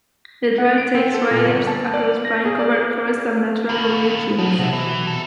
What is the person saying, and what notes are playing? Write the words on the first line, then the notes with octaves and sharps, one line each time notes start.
The trail takes riders across pine covered forest and natural rolling hills.
F#5
D7
C4
A4
A#2
G1
A5
D5
A#6
G#4
D5
D#2 B3
F3 F#3 D#4
C3 F#4 E5
B2 E3
G#4 A4